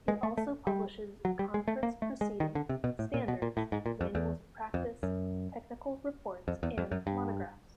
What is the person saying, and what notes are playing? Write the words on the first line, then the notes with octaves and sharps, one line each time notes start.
It also publishes conference proceedings, standards, manuals of practice, technical reports, and monographs.
G#3
A3
A3
G3
F#3
G3
G#3
A3
A#3
A3
G#3
D#3
D3
C3
B2
A2
A#2
B2
A#2
A2
G#2
A#2
F2
E2
F2
F#2
F2
E2
F2
F#2
G2